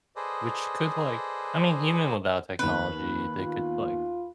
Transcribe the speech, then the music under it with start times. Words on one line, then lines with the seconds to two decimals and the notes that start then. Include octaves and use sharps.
which could, like I mean, even without technology, they could, like,
0.16 G#4 A4 B4 C5 D5 D#5
2.59 D#2 B3 B4
3.37 F4